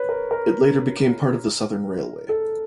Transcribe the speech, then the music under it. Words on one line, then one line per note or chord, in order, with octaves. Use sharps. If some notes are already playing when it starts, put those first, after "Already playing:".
It later became part of the Southern Railway.
Already playing: B4 C#5
A#4
A#4
A4